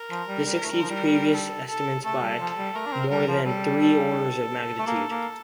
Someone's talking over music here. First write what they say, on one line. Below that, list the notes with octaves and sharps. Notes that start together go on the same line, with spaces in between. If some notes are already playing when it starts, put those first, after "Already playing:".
This exceeds previous estimates by more than three orders of magnitude.
Already playing: A#4
F3
G3
G3
A3
G3
F3
G3
A4
A4
A3 A4
G3
F3
G3
A3 A#4
D4
C4
G3 A#4
F3
G3 A4
A4
A3
A#3
A#3